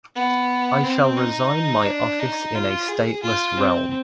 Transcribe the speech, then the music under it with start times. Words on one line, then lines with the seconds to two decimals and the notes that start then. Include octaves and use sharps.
I shall resign my office in a stateless realm.
0.15 B3
0.83 C4
1.17 D#4
1.86 D4
2.20 D#4
2.55 F4
2.88 G#4
3.23 F4
3.57 C4